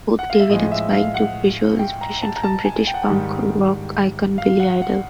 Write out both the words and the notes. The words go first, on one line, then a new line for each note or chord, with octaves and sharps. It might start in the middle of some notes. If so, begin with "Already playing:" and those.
Both David and Spike took visual inspiration from British punk rock icon Billy Idol.
F#5
F5
E5
A2 F3 G#3 D#5
E5
F5
F#5
G5
A#5
A5
A#5
A5
G#5
G5
F#5
G5
G#2 D#3 G3
F5
F#5
F#5